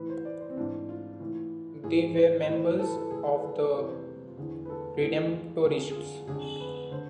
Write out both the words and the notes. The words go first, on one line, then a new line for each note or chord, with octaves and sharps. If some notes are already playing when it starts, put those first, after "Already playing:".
They were members of the Redemptorists.
Already playing: A2 E3 B4
C5
D5
C5
C4
G#2 E3 D4
F4
A2 E3
G#2 E3 G#4
C5
C5
A2 E3 B4
A4
B4
A4
A2 E3 G#4
B4
A4
F2 C3 E3 C5
B4
C5
F4
E2 D3 G#4
B4
A4
A2 E3 G#4
F4
F2 D3 G#4
G#4
F4
F2 D3 G#4
B4
D3 C5